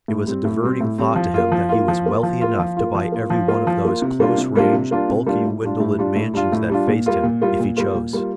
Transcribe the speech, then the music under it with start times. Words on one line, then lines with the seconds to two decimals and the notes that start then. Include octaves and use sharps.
It was a diverting thought to him that he was wealthy enough to buy every one of those close-ranged, bulky, window-lit mansions that faced him, if he chose.
0.08 A2
0.27 G3 C4
0.45 A2
0.63 G3 C4
0.81 A2
0.98 G3 C4
1.16 F3
1.34 A#3 F4
1.52 F3
1.69 A#3 F4
1.88 F3
2.06 A#3 F4
2.23 F3
2.42 A#3 F4
2.59 F3
2.77 A#3 F4
2.95 F3
3.12 A#3 F4
3.30 F3
3.48 A#3 F4
3.67 F3
3.85 A#3 F4
4.02 C3
4.20 G3 A#3 D4 F4
4.38 C3
4.55 G3 A#3 D4 F4
4.73 C3
4.91 G3 A#3 D4 F4
5.09 C3
5.26 G3 A#3 D4 F4
5.45 A2
5.62 G3 D4 F4
5.80 A2
5.99 G3 D4 F4
6.16 A2
6.34 G3 D4 F4
6.52 A2
6.69 G3 D4 F4
6.87 A#2
7.06 G3 A#3 F4
7.24 A#2
7.42 G3 A#3 F4
7.60 A#2
7.77 G3 A#3 F4
7.94 A#2
8.13 G3 A#3 F4